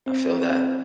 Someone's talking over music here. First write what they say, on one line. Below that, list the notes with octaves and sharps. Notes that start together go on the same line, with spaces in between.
I feel that.
C4
C4
C4